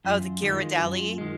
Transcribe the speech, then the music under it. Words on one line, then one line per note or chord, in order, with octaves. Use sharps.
Oh, the Ghirardelli?
F#2 F4
D#3 G#3
F#2
D#3 G#3